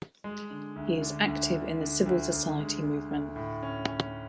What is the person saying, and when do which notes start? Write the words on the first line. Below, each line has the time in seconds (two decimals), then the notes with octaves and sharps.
He is active in the civil society movement.
0.24 G#3
0.50 D3
0.76 D2
1.02 D3
1.28 D2
1.54 D3
1.81 D3
2.06 D2
2.32 D2
2.58 G#3
2.83 D2
3.11 D2
3.36 A2
3.63 C#4
3.88 C#4